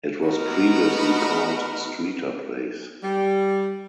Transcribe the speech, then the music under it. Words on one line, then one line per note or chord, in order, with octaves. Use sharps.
It was previously called Streeter Place.
A3 B3 D#4 F#4 A#4 B4
G3